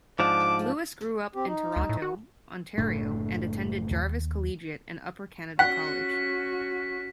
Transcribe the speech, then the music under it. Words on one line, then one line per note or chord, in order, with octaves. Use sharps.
Lewis grew up in Toronto, Ontario, and attended Jarvis Collegiate and Upper Canada College.
G#2 F3 D4 D6
C4 G4
D#4
D2
A2
F#4
F#1 A2 A3 D4
D#2
C#4 F#4 F#5 B6